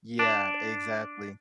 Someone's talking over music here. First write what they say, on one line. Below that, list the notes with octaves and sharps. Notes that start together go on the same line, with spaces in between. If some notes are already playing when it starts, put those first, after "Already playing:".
Yeah, exactly.
D4